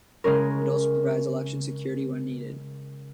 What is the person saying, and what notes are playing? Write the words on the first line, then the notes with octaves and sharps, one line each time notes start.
It also provides election security when needed.
C#3 G#3 C#4 A#4